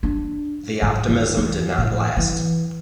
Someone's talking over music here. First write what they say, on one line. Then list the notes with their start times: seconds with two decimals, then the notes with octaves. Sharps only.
The optimism did not last.
0.03 D4
0.82 G#2
1.09 D#2
1.37 E2
1.78 A2
2.17 E3